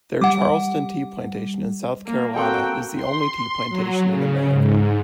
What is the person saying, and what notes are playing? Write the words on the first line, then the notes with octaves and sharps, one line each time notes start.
Their Charleston Tea Plantation in South Carolina is the only tea plantation in America.
G3 F#5 D6
A#3
A#3 C4 F#4 A4 G5
C6
F#3
C#3
G#2